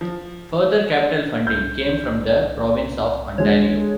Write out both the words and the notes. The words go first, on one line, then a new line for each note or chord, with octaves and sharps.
Further capital funding came from the Province of Ontario.
F3
C2 G6
D3 G#3 C#5